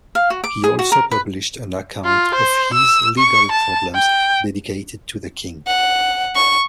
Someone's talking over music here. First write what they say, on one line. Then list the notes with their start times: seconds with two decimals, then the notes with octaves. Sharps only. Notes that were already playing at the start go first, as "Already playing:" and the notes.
He also published an account of his legal problems, dedicated to the King.
0.15 F5
0.30 F#4
0.44 D6
0.64 G#4
0.79 F#4
0.92 A#4
1.11 B4
2.05 F4
2.35 C5
2.74 E6
3.18 C#6
3.52 A5
3.95 G5
5.67 F#5
6.36 C#6